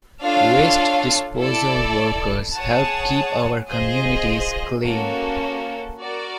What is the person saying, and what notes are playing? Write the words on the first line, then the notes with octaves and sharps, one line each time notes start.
Waste disposal workers help keep our communities clean.
D4 F4 A4 C#5 F5
E4 A4 D5
G#4 C#5 F#5 A5
F4 G#4 C5 D#5
A#3 C#4 F#4 A4
F#4 A#4 D5